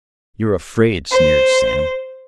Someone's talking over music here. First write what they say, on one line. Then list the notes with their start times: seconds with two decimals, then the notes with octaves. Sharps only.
"You're afraid," sneered Sam.
1.10 C5